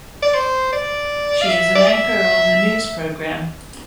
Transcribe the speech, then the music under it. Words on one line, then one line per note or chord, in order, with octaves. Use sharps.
She is an anchor on the news programme.
D5
C5
D5
F5
E5
D5
E5